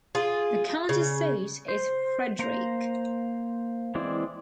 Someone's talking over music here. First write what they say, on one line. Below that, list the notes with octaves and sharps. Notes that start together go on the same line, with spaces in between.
The county seat is Frederick.
F4 G#4
C#3
C5
A#3 C5 A#5
E3 G#3 C4 E4 D5